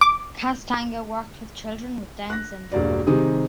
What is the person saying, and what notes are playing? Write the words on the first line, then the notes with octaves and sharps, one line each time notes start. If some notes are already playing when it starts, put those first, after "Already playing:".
Castagna worked with children with Down Syndrome.
D6
F#6 A#6
E1 G2 A#3 F#4 D5
C3 D#3 G3 C4 D#4 G#4